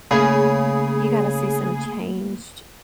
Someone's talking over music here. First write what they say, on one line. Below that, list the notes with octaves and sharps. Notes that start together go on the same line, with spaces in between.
you gotta see some changed
C#3 A3 A#3 G#4 B5